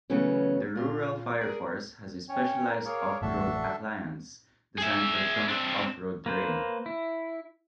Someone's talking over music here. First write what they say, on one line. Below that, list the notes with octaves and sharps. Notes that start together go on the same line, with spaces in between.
The rural fire force has a specialised off-road appliance designed for tough off-road terrain.
C#3 E3 F#3 A3 B3 C#4
A#2 F4
G#4 A#4 D5
C#4 C#5 G5
A#4
A#3 G#4 A#4 C#5
A1 F2 A2 D4 F#4 A4 E5
G#4 E5
C4 D4
A#3 B4 C5
E4